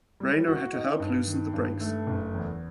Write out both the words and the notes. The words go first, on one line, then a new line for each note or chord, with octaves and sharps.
Raynor had to help loosen the brakes.
G3
F#4
D#4
G2
D#3
G2
A3
F#1
E2